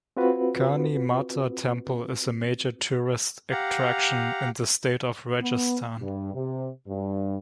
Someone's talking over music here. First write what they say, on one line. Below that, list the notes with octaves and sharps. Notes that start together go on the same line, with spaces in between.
Karni Mata Temple is a major tourist attraction in the state of Rajasthan.
C4 F4 F#4 B4
G4 F5 F#5 A#5
B3
G2
C3
G2